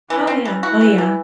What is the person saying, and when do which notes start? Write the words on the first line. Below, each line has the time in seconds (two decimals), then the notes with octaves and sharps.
Oh, yeah, oh, yeah.
0.09 E3 C#4
0.27 C4
0.45 E3
0.63 E4 F#4
0.81 E3
0.98 E3